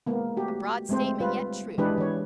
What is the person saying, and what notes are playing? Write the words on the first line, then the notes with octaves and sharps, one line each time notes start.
A broad statement, yet true.
G#3 A#3 B3
A3 F#4 G4
G#3 A3 C4 C5
G3 F4 B4
E3 G#3 D4 G4 G#4 B4
E3 C#5